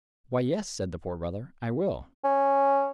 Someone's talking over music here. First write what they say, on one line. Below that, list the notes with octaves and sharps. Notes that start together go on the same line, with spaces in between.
"Why, yes," said the Poor Brother, "I will."
C#4